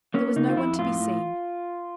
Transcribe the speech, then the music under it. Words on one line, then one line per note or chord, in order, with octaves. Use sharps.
There was no one to be seen.
A#3 C#4
C#3 D#4
F4
F2 E4
A2 F4
A2